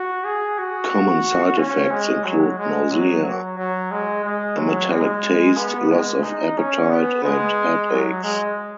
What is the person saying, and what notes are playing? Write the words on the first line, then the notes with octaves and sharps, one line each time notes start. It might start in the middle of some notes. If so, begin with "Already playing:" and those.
Common side effects include nausea, a metallic taste, loss of appetite, and headaches.
Already playing: F#4
G#4
F#4
C#4
G#3
F#3
G#3
F#3
F#3
F#3
G#3
G#3
F#3
G#3
B3
G#3
D#4
C#4
B3
G#3
F#3
G#3